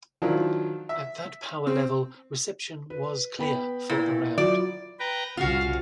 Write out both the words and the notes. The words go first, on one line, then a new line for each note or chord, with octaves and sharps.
At that power level, reception was clear for around.
D#3 F3 F#3 D4 E4 F4
E5
C4
B4
B3 G5 B5
A#2 E4
F#3 F4 D5
B4 G5 A#5
C2 C#3 F4 F#4 F5